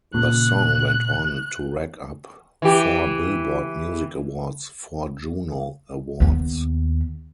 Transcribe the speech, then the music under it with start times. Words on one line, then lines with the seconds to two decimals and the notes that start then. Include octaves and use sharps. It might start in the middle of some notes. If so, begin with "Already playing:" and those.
The song went on to rack up four "Billboard" Music Awards, four Juno Awards.
0.14 A#2 C#3 F#6
2.62 E3 G4
6.20 D#2 B3